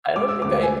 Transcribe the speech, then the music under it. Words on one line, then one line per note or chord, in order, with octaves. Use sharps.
I don't think I
G#3 D6
E6
D2 D6
G#5